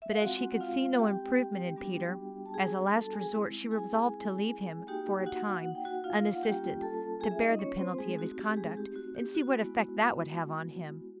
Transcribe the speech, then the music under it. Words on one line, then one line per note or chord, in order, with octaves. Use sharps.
But as she could see no improvement in Peter, as a last resort, she resolved to leave him, for a time, unassisted, to bear the penalty of his conduct, and see what effect that would have on him.
E5
F5
G#3 C4 F4 F#4 F#5
F#5
F4 F5
G4 G5
G3 B3 D4 F#4
A5
G#4 G#5
A4 A5
G#4 G#5
G#3 C4 E4
G#4 G#5
A#3 D#4 F#4 G4 G5
F#4 F#5
F#5
G5
F#4 F#5
F4 F5
F#5
G3 A#3 C#4 F4 G4 G5
A4 A5
G#4 G#5
E5
D#4 D#5
C#4 C#5
C4 C5
G#3 A3 C4 D#4 G#4
F#4
G4
G#3 G#4
G4
F#4
G4
F#4
G#3 B3 E4